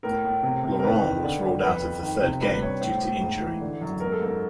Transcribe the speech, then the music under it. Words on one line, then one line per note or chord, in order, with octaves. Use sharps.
Laurent was ruled out of the third game due to injury.
A2 A#4
A2
C3
C3
A#4
D#3 B4
D#3
D3
G2
F2 B4
F2
D#3
C3
G2 B4
G2 C#5
A2 C5
A2
G#2
E3
D3
F#2
G#2 A#4
A4
G#2 A#4